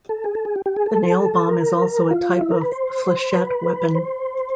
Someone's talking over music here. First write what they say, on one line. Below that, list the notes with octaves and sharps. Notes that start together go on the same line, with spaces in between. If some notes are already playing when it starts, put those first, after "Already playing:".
The nail bomb is also a type of flechette weapon.
A4
G#4
A4
G#4
G4
G4
G#4
A4
A#4
F4
E4
A#4
B4
C5
B4
C5